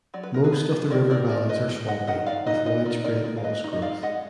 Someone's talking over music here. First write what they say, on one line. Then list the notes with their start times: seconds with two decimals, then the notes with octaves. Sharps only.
Most of the river valleys are swampy with widespread moss growth.
0.14 F#3 D5
0.23 B4
0.34 A#4
0.44 G#4 B4
0.52 B3
0.90 D#3 A#4 D5
1.10 A#4 D5
1.29 G#3 A#4 D5
1.49 B4 D#5
1.68 G#3
1.88 D#5 F#5
2.07 D#3 D#5 F#5
2.27 D5 F5
2.47 D#4 B4 D#5
2.66 B4 D#5
2.85 D#4 A#4 D5
3.04 A#4 D5
3.24 G#3 A#4 D5
3.37 F5
3.44 B4 D#5
3.64 D#4
3.73 D#5
3.82 D5 F5
4.03 G#3 D#5 F#5